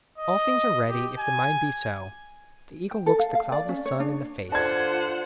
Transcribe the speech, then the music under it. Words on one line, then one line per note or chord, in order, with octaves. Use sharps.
"All things are ready if the mind be so." The eagle looks the cloudless sun in the face.
D#5
G4
G#5
G5
A4
F5
F5
D5
C#4
C#5
D4
D3 F4 C5 F#5 A5 G#6